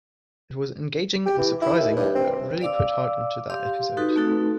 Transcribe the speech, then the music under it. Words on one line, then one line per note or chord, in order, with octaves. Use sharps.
It was engaging and surprising and I really put heart into that episode.
G4
E3
E4
D#2
G2
C4
D5 F5 D6 E6
G4 F5 C6
D#4 F#4 A4 B4
A3 C4 D#4 F#4 A4